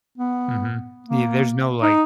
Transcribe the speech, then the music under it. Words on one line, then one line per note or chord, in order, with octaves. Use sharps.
mhm, yeah, there's no, like
B3
A#3
D#4